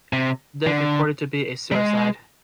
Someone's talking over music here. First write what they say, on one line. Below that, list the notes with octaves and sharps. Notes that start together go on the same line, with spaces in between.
The death reported to be a suicide.
C3
D3
G3
G#3